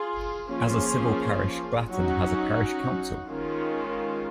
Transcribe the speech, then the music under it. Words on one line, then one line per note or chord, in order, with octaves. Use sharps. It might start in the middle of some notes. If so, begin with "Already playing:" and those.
As a civil parish, Glatton has a parish council.
Already playing: F4 G#4
F3 A#3 C#4 F4 G#4
F#3 C#4 D#4 F#4
D#3 G#3 C#4 F4